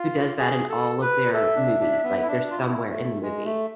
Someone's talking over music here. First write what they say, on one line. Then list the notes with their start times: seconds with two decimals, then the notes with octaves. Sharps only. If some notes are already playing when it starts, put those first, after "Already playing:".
who does that in all of their movies, like they're somewhere in the movie.
Already playing: F4
0.39 G#4
0.69 A4
1.02 B4
1.33 A4 E5
1.56 D4
1.80 D4
2.03 B3
2.22 E4
2.28 D4
2.51 F4
2.58 E4
2.90 A3
3.22 G#3
3.45 A3